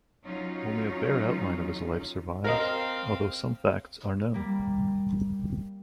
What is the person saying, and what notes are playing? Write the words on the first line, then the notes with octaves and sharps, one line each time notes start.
Only a bare outline of his life survives, although some facts are known.
F#3 C#4 D#4 F4
C4 A#4 D#5 F5
G3 A#3